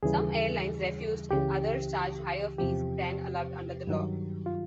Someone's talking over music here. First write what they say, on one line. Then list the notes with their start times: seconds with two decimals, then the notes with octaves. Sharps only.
Some airlines refused and others charged higher fees than allowed under the law.
0.03 D#2 C#3 E3 G3 G#4
1.31 C#2 C#3 E3 G4
2.58 E2 C3 F3 G4
3.87 G2 D#3 F#3
4.46 F4